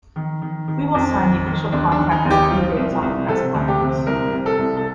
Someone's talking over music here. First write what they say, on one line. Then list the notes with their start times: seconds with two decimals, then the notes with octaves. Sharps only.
We will sign the official contract in a few days on the press conference.
0.16 D#3
0.42 D#3
0.68 D#3
0.94 F2
1.20 D#3
1.46 D#3
1.72 D#2 D4
1.92 D4
1.98 D#3
2.11 D#4
2.25 D#2
2.31 G4
2.43 D#4
2.51 F3 F4
2.77 C2
3.02 C2
3.28 C3 A4
3.54 D2
3.68 G4
3.81 C3
4.06 C2 A#4
4.33 C3
4.46 A4
4.59 C2
4.77 A4